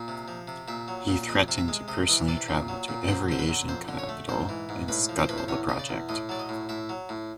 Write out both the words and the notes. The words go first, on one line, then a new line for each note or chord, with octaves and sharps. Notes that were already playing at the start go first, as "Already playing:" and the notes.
He threatened to personally travel to every Asian capital and scuttle the project.
Already playing: A#2
C3
F3
C3
A#2 E5
F#3
A#2
F2 D#5
C3
E5
G#3
C3 D#5
E3 D#5
C3 D5
A#2
F#3
A#2
F#2 C5
D3 C5
B4
F#2
F2 C5
D3
C#5
A3
G#2 C5
E3
G#2
A2 B4
F3
C5
A2 B4
C5
E2 C#5
C#3 D#5
D5
E2
A2 D#5
F#3 D5
D#5
A2
A2 E5
F#3
A2